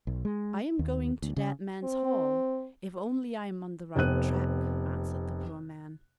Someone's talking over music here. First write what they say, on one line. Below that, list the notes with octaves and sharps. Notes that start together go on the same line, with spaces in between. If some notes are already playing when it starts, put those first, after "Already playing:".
"I am going to Dead Man's Hall, if only I am on the right track," answered the poor man.
B1
G#3
D#2
D2
C#3
C4
F1 C3 B3 C4 F#6 D#7